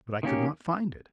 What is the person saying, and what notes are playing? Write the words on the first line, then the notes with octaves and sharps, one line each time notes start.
But I could not find it.
D#3 A#3 C#4 G4